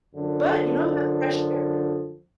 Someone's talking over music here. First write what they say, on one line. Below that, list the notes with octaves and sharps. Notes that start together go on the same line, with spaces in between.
But, you know, that's fresh air.
F#2 D3 F3